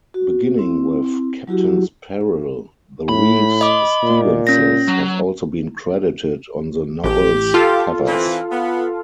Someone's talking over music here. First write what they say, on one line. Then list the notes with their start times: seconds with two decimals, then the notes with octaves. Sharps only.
Beginning with "Captain's Peril", the Reeves-Stevenses have also been credited on the novels' covers.
0.14 F#4
0.57 C4 E4
1.47 F#3 E4 F#4 G4
3.09 A2 B5
3.61 D#5 D6
4.03 A#2
4.47 C#4 A#6
4.88 F#3
7.04 A1 G4
7.54 F4 A4 F5
8.07 E3 C4
8.52 B3